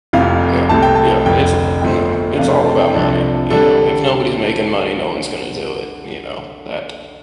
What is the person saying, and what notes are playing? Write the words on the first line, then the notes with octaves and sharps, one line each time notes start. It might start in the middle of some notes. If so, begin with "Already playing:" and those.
Yeah, yeah, it's no, it's all about money, you know. If nobody's making money, no one's gonna do it, you know, that,
F1 F2 C3 F5
C2 C3 A3 A5
G5
A5
F1 F2 D3 G5
G1 F2 F3 A3 C4 G5
F2 C3 A3 D4 F5
G5
A5
G5
C2 C3 F3 D4 A4
D3 G3 D4 A4